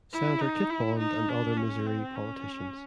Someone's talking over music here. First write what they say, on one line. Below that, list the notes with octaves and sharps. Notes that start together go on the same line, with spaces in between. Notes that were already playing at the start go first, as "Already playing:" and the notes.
Senator Kit Bond and other Missouri politicians.
E4
D#4
E4
D#4
D4
C#4
C4
C#4